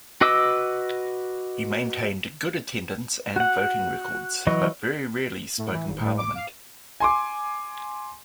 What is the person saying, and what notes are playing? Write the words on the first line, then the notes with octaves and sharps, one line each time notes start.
He maintained good attendance and voting records, but very rarely spoke in Parliament.
F#4 B4 D#5 D6 E6
F#4 F#5
E3 F#3 D#5 C#6
A2
E3
G#1
A2
D6
F5
G#5 C6 D6